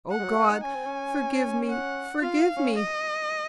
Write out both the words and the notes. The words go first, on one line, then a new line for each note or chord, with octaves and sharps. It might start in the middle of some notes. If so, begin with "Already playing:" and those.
"Oh, God--forgive me--forgive me!"
F#5
G#3
F#3
A#3
D#4
C#4 G#5
C4
C#4
F#5
F4 F5
C#4
D#5